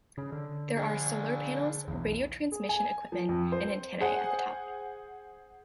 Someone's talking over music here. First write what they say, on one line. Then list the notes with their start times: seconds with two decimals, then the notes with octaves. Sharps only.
There are solar panels, radio transmission equipment, and antennae at the top.
0.18 C#3
0.32 D3
0.77 D4 G#4
1.88 B1 E2
2.52 G#4
2.69 G#5
3.12 F3
3.29 F2
3.52 C5
4.01 G#4 C5 F#5 G#5